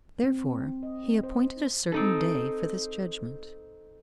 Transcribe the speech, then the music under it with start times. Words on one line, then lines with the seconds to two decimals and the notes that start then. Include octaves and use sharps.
Therefore he appointed a certain day for this judgment.
0.24 C4
0.83 D#5
1.23 C5
1.92 C4 D#4 A4